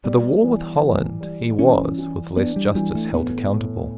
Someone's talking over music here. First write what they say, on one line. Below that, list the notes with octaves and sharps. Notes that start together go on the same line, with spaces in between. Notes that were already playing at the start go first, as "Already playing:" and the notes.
For the war with Holland, he was, with less justice, held accountable.
G3 B3
E3
E3
G3
E3 C#4
E3
B3 D4
G3
E3 G3
A3
A2 B3
A2